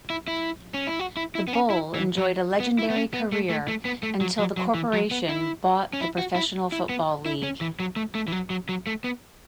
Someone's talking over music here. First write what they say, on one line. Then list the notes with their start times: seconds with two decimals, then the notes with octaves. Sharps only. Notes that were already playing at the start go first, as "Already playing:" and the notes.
The Bull enjoyed a legendary career until the Corporation bought the professional football league.
0.10 E4
0.28 E4
0.74 C#4
0.87 E4
0.99 F#4
1.17 E4
1.35 E4
1.48 B3
1.53 C#4
1.70 E4
1.95 E3
2.18 F#3
2.60 B3
2.79 E4
2.90 B3
2.96 C#4
3.14 B3
3.32 A3
3.49 A3
3.68 A3
3.85 B3
4.03 A3
4.21 F#3
4.39 F#3
4.57 F#3
4.74 E3
4.93 F#3
5.11 B3
5.29 E4
5.93 C#4
6.01 E4
6.18 F#4
6.35 E4
6.72 E4
6.89 B3
7.26 E4
7.43 C#4
7.61 E3
7.80 F#3
7.96 A3
8.15 A3
8.28 E3
8.32 F#3
8.50 F#3
8.69 F#3
8.87 A3
9.04 B3